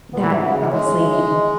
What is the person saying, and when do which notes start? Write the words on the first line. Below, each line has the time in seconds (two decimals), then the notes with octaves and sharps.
that obviously,
0.13 A#2 B3
0.28 G#2
0.33 E4
0.42 C#3 F#4
0.53 E4
0.62 D#4
0.71 G#3 C#4
0.86 C#4
1.01 E4
1.16 D#4
1.30 D#4